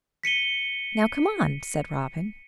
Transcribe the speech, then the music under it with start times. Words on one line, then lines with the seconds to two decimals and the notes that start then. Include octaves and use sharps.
"Now, come on," said Robin.
0.23 B6 C#7 D#7 G7